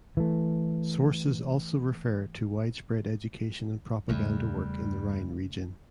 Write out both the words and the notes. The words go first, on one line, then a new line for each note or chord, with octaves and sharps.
Sources also refer to widespread education and propaganda work in the Rhine region.
E3 A3
E2 C#3 G3 A3